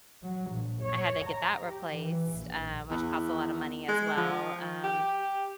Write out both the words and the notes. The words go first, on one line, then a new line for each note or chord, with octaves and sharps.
I had to get that replaced, um, which costs a lot of money as well. Um,
F#3
A#1
C#5
A#5
G4
E3
A#1
E2
G#3
F3
G4